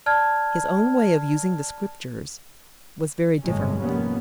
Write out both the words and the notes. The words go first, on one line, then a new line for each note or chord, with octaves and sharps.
His own way of using the Scriptures was very different.
D5 A5 F6 G#6
G1 A2 G#3 C#4
F1 G#2 G3 A#3 B3 C#4